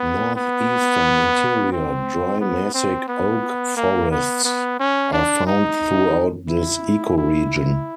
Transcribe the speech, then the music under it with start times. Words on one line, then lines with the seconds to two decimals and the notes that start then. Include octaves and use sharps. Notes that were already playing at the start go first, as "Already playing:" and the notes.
Northeastern interior dry-mesic oak forests are found throughout this ecoregion.
Already playing: B3
0.36 B3
1.73 C4
2.41 B3
2.74 C4
3.08 B3
3.77 A#3
4.11 B3
4.44 B3
4.80 C#4
5.13 D4
5.47 D#4
6.49 E4
7.18 E4